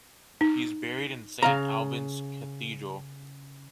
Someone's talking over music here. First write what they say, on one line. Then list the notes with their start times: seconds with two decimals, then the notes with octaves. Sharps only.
He is buried in Saint Albans Cathedral.
0.41 D#4
1.42 C#3 F5 A#5